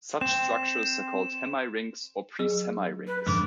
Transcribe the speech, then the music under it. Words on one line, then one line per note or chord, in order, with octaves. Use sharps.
Such structures are called "hemirings" or "pre-semirings".
C4 E7
F#3 G#4
B4
F2 G#2 D3 D6